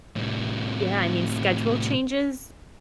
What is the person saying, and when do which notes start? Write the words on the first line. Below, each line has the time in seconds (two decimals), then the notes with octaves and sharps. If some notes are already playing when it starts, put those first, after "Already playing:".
Yeah, I mean, schedule changes,
0.16 A2 C3